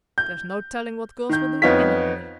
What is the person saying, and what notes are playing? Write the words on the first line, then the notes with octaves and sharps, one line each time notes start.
There's no telling what girls will do anyway.
G6
D#3 G6
F2 B3 D#4 F4 C#5 B6